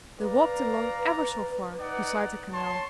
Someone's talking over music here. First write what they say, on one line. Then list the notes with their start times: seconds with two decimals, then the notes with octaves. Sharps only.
They walked along ever so far, beside the canal.
0.20 B4 D5 F5 A#5
1.80 D#4 D5 F#5
2.52 C#5 A5 C6